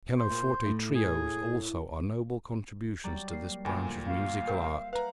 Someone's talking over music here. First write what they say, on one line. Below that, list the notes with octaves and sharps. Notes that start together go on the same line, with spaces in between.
His pianoforte trios also are noble contributions to this branch of musical art.
C5
A#2
A2
G#4
F#3 G3 D5 A#5
A#3 C7
D2 A#2 G3 G5 G#5 B5
F4 G4 F5
A#4 C5 E5 G5
B4 F5 F#5 A#5 F#6